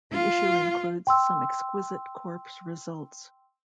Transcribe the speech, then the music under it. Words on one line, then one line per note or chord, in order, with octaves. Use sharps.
The issue includes some exquisite corpse results.
F4
G5 C6 E6